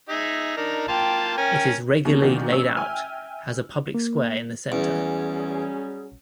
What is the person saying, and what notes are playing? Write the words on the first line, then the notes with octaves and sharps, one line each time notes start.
It is regularly laid out, has a public square in the center.
D#4 G#4 E5
D4 D#4 A#4
A#3 F4 G5 A5
C#4 A#4 G#5
D#2 C3
A#2 D3 D#3 F#3
A1 C#4 E6
E5 G5 G#5 F6
A#3
E2 F#3 G3 C#4 G#4